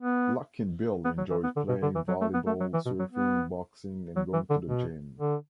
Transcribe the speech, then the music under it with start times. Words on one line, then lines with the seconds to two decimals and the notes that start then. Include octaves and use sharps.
Luckinbill enjoys playing volleyball, surfing, boxing and going to the gym.
0.01 B3
1.05 B3
1.18 F#3
1.30 E3
1.44 B3
1.56 D3
1.69 B2
1.82 D3
1.95 E3
2.08 F#3
2.21 A3
2.34 B3
2.47 A3
2.60 F#3
2.73 E3
2.86 B2
2.99 F#3
3.12 B3
4.16 F#3
4.33 E3
4.50 D3
4.68 B2
5.19 D3